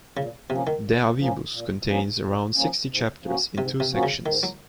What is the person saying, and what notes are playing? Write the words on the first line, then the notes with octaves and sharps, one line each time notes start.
"De avibus" contains around sixty chapters in two sections.
A#2 C#3
C3 F3 A#3 C#4
D#3
A#2
F3 A#3 C#4
A#2
F3 A#3 C#4
A#2
F3 A#3 C#4
G#2
F3 A#3 C#4 F#4
G#2 C3
C3
F3 A#3 C#4 F#4
C#3
G#2 D#3
F#3